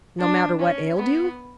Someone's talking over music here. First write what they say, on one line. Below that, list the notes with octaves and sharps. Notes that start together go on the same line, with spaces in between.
"No matter what ailed you?"
D4
C#4
B3